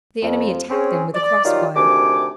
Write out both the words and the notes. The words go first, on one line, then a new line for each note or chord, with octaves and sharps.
The enemy attacked them with a cross-fire.
F2
C4 C#4 G#4
D5
D#3 F#3 G3 F4
D2 C3 D#3 G#5 D6